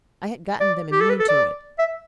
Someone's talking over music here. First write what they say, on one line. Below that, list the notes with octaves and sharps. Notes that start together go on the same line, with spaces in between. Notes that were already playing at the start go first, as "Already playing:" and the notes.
I had gotten them immune to it.
D5
G4
A4
B4
A4
D5
E5